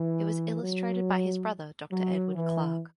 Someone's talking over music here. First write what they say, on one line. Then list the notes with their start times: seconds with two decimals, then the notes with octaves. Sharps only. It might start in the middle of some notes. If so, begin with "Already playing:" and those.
It was illustrated by his brother Dr Edward Clarke.
Already playing: E3
0.62 F#3
1.92 F#3
2.35 E3